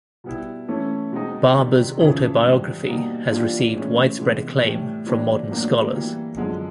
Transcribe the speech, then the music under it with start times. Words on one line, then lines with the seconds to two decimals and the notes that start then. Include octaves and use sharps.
Babur's autobiography has received widespread acclaim from modern scholars.
0.24 B2 G3 B3 E4
0.68 E3 A3 C#4 E4
1.12 B2 G#3 C4 D#4
1.56 C3 D#3 G3
1.99 F2 C#3 E3
2.43 G#2 E3 G3
2.86 B2 G3 A#3 D#4
3.30 E3 G3 A#3 D4 F4
3.74 A2 E3 G#3 C#4
4.18 C3 E3 G#3 B3
4.62 A2 E3 G3
5.06 E3 G3 A#3 D4
5.49 A2 F#3 A#3 D4
5.93 E3 G3 A#3
6.37 F#2 D3 F3 G#3